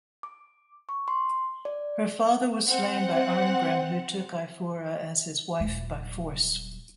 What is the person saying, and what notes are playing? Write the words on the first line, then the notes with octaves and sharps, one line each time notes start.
Her father was slain by Arngrim who took Eyfura as his wife by force.
D6
C#6
C6
D5
C4 F#5
D#1 F#3